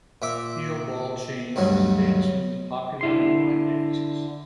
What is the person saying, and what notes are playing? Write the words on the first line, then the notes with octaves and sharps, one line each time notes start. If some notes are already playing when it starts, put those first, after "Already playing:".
Heel ball change is a dance move popular in line dances.
A#2 E5 D6
D2 G2 B2 F#3
D3 E4 C6